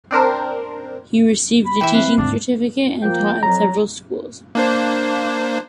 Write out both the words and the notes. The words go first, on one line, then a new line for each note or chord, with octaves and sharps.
He received a teaching certificate and taught at several schools.
C4 D4 A#4 C5
B5
E3 E5 G5
C4 B4 F5
D2 G#2 D4
F3 A#3 G5
F2 F#3 A#5
A#3 D4 C5